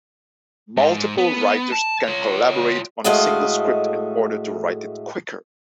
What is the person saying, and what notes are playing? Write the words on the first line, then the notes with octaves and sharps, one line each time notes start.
Multiple writers can collaborate on a single script in order to write it quicker.
G#2
B3
A5
F4 C#5
A2 G#3 A3 F#4 D#5 F5